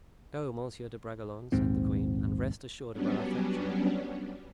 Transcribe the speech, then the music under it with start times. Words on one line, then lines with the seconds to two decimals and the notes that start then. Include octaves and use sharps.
"Go, Monsieur de Bragelonne," said the queen, "and rest assured of our affection."
1.52 A#1 D#2 G#2 C4
2.92 F#3 G3 B3 C#4 D4